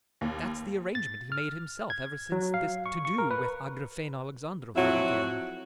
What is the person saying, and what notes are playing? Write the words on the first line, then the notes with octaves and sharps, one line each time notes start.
That's the arrangement he made himself ever since this to-do with Agrafena Alexandrovna began.
D#2
A6
F6
G#6
F#3
F5
C#6
C#6
A#4
B4
F2 F#3 E4 F#4